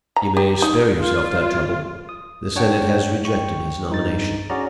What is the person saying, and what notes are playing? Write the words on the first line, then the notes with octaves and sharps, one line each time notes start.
"You may spare yourself that trouble; the senate has rejected his nomination."
A#5
G4
D#4
F4
D#6
D4 C#5 F#5 G5
G5 C#6
G2 D#4 A6
C#4 F#4 G#4 D5 A#5